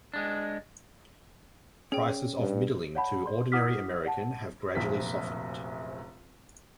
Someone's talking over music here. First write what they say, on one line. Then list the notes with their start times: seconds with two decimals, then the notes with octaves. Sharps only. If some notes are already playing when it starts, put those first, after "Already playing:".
Prices of middling to ordinary American have gradually softened.
0.14 G#3 D4
1.92 C#4 G#4 D5 G5
2.39 G2
2.95 C#5 D5 F5 F#5 A5 B5
3.26 D5 C6
3.52 E4 F#5 D6 D#6 F6 B6
4.05 D5 F#5 A5
4.75 F1 A#1 F#2 F3 B6